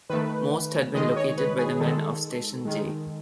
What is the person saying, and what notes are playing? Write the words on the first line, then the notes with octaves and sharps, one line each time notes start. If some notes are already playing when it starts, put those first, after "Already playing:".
Most had been located by the men of Station J.
D#3 A3 B4
D#3 G#3 D#5
C#5
B4
G#4
D#3 G#3 A4
D#3 G#3